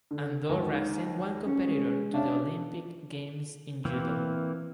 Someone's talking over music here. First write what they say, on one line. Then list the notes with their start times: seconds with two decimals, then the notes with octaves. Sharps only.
Andorra sent one competitor to the Olympic Games in Judo.
0.11 D3
0.49 D#2 G#2
1.45 C#4
1.66 G#3
2.14 C#4 D4 E5 F5
3.85 E3 A#3 C4 E4